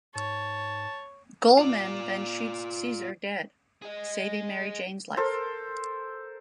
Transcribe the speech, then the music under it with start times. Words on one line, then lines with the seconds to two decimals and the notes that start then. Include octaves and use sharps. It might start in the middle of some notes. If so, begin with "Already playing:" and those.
Goldman then shoots Caesar dead, saving Mary Jane's life.
0.15 G#2 C#5 A5
1.58 F4 D5
3.82 G#4 D#5
5.17 A4 A#4 C5